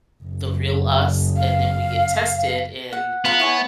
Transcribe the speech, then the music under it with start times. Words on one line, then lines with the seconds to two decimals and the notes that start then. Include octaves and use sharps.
the real us and then we get tested in
0.24 F#1
1.36 F5
2.93 F#5
3.25 B3 F4 A#4 F#5
3.40 E4 C#5 G#5